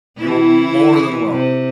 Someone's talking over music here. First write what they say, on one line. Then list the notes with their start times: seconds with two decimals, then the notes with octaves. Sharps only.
You're more than welcome.
0.17 E3 E4
1.31 C3